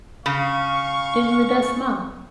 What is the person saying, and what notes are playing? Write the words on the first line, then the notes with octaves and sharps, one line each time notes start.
It really does smell.
C#3 F5 C#6